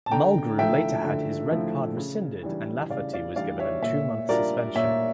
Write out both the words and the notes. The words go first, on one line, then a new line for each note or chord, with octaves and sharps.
Mulgrew later had his red card rescinded and Lafferty was given a two-month suspension.
A5
D3 G5 A#5
F3 A3 E4 E5 G5
D3
F3 A3 E4
C#3
E3 G3 D4
C#3 D5 F5
D5 F5
E3 G3 D4 D5 F5
C#5 E5
A#2 C#5 E5
G3 D4 F4 A#4 D5
A#2 C#5 E5